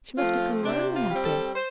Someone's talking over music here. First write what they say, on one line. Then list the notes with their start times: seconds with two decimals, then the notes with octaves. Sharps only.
She must be so lonely out there.
0.17 F3 A3 C4 F4
0.63 C3 D4
0.94 F4
1.09 G3 C4
1.24 A4
1.55 C5